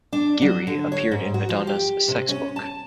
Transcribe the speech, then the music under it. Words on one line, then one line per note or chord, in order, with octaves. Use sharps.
Geary appeared in Madonna's "Sex" book.
D4
F#3
D3
C#5
G#2
F#4
F3
G4
C3
C#4
A5